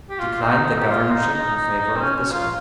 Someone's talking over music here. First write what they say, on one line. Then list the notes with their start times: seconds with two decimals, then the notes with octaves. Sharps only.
Declined the governorship in favor of Bissell.
0.10 G4
0.19 F4
0.42 D#4
0.65 D#4
0.78 G4
0.87 F4
1.10 D#4
1.33 D#4
1.56 D#4
1.78 D#4
1.96 C4
2.01 C#4
2.15 C#4
2.31 F4